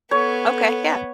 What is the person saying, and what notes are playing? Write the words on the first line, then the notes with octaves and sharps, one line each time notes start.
Okay, yeah.
B3 A4 C#5